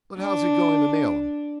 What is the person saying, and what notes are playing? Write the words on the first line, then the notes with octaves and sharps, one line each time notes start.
'But how's he going to nail him?
D4